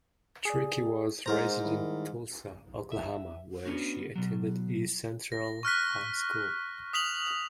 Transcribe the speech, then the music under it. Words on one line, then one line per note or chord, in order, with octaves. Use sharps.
Trickey was raised in Tulsa, Oklahoma, where she attended East Central High School.
G#4 D5
G#2 A#4 C5 A#5
D#3 G3 E4
E5
B3 C#4 D4 F#4
B2 F#3
A#6
C#6 F6 F#6 B6
D#6 B6 F7 F#7